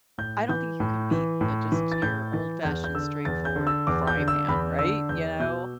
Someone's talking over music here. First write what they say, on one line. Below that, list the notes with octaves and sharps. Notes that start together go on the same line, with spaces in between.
I don't think you can beat uh, just your old fashioned straightforward fry pan, right? You know?
A2 G6
E3 G6
A2
E3
A2
E3
A6
A2 G6
E3 A6
E2 G6
G6
D3 E6
E2 A6
G6
D3
E6
E2 D6
G6
D3
E6
E2 B5
D3 E6
E2 G6
B2 G6